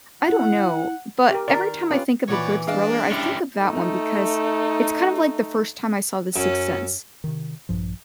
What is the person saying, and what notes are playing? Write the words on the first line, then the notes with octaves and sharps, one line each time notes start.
I don't know, but every time I think of a good thriller, I think of that one because it's kind of like the first time I saw The Sixth Sense.
E4 F#5
G4 A#4
D#3 A#4 D5
C#4 F4 G4 B4
A#2 E3 F#4 C#5 D5 B5
G#3 D4 D#5 F5
C#4 E4 G4
A3 D#4
F#2 C#4
C3 D#3
A#1 G2 F3